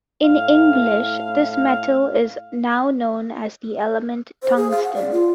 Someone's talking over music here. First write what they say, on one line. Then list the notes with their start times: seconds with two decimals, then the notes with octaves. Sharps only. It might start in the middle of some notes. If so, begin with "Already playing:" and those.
In English, this metal is now known as the element tungsten.
0.24 A2 F5
1.51 F5
4.43 C5
4.56 G#4
4.71 F5
4.83 F#5
4.95 D5
5.12 F4